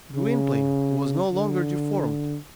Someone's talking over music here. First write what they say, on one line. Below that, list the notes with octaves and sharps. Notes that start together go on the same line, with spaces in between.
Gwynplaine was no longer deformed.
C#3
D3